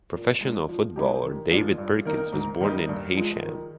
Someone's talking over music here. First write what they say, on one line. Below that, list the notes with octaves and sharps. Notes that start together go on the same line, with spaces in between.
Professional footballer David Perkins was born in Heysham.
A#2
G#3 D4
F3
G#3 D#4 G4
D#3
G#3 D4 F4
G2
D#3 A#3 D#4 A#4
G#2
D#3 G3 A#3 D#4
G2
F3 G#3
D#3